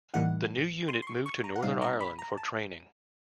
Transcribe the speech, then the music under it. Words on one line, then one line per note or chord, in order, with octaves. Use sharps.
The new unit moved to Northern Ireland for training.
A2 E3 G3 A#3 D#4 F#5
C6
C6
C#6
C#6
A#5
F#5
A#2 G3 C4 D#4 F5
A#5
B5
A#5
A5